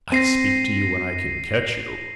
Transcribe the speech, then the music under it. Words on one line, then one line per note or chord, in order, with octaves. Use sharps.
I speak to you when I can catch you.
C4 A#6 C7 D#7